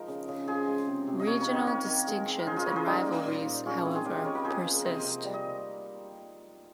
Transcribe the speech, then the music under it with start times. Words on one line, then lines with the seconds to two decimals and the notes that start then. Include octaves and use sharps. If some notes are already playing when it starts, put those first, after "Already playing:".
Regional distinctions and rivalries, however, persist.
Already playing: F3 G#3 D#4 A#4
0.08 C#3
0.28 C#3
0.47 F3 G#4 C5
0.67 G#3
0.87 C3
1.07 C3
1.20 D#5
1.27 A#3 A#4 C#5
1.40 A#4 C#5
1.47 D#3
1.53 C5 D#5
1.66 A#3 A#4 C#5
1.87 D#3
2.07 G#3
2.26 C4
2.39 A#4
2.46 C#3 G#4 C5
2.56 F4 G#4
2.62 C#3 A#4 C#5 D#5
2.76 G#4 C5
2.85 G3 D#4 G4
3.06 A#3
3.25 A#2
3.46 A#2
3.65 G#3 C#4 F4
3.85 C4 D#4
3.95 F4 G#4
4.05 C#3 G4 A#4
4.15 D#5
4.24 C#3 A#4 C#5
4.35 G4 A#4
4.45 F3 G#4 C5
4.64 A#3
4.85 C3 C5 D#5
5.04 C3
5.24 G3
5.34 D#5